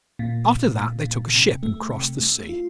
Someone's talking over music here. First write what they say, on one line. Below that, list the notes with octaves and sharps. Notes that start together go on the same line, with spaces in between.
After that they took a ship and crossed the sea.
A#2
A#2
A#2
A#2
C3
A3
C3
A3
F4